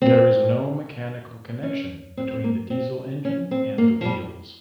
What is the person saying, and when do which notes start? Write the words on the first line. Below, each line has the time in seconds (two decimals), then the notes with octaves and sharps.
There is no mechanical connection between the diesel engine and the wheels.
0.02 C4
1.63 C#4
2.17 C4
2.31 C4
2.44 A#3
2.70 C4
3.25 C#4
3.51 C4
3.78 A#3
4.01 F3
4.05 G3